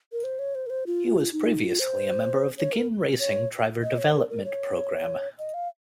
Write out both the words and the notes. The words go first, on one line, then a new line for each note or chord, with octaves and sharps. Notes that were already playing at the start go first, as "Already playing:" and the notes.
He was previously a member of the Ginn Racing driver development program.
A#4
C5
C#5
C5
A#4
C5
F4
D#4
F4
C5
C#5
A#4
C#5
D#5
C#5
A#4
A#4
C#5
D#5
F5